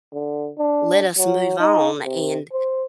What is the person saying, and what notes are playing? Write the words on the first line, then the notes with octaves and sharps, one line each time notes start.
let us move on, and
D3
D4
F#3
D#4
C3
C5